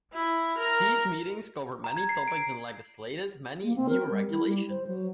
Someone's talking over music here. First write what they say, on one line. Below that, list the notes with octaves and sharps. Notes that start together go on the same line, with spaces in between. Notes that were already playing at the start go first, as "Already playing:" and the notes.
These meetings covered many topics and legislated many new regulations.
E4
A#4
A#5
G#6
C7
D7
A#3
C4
A#4
G3
E4
G3
C5
F#3